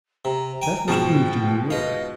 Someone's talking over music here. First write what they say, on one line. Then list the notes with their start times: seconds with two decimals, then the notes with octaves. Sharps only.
That was proved in New York.
0.25 C3 A#5
0.62 G5 G#5
0.88 G#2 B2 F3 G#4 G5 A5
1.70 B4 D#5 F5